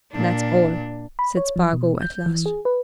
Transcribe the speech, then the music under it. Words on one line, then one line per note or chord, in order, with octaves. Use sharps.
"That's all," said Spargo at last.
A#2 D4
B5
C#5
F3
B2
G6
E3
G#4
B4